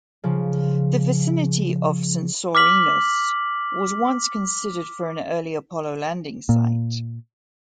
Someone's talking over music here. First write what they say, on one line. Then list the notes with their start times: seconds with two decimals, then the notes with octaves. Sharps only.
The vicinity of Censorinus was once considered for an early Apollo landing site.
0.24 C#3 F3
2.55 D6 F6 B6 F#7
6.49 A#2